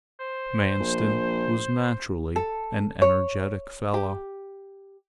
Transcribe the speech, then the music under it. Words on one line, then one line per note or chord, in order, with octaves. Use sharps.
Manstin was naturally an energetic fellow.
C5
A#1
A4
C#5
G4